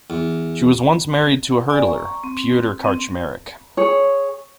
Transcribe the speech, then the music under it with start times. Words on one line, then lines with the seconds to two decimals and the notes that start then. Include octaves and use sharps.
She was once married to a hurdler, Piotr Karczmarek.
0.10 E2
1.69 D5 G#5
1.85 A#5 C#6
2.24 C4
2.84 C4
3.77 G#4 C#5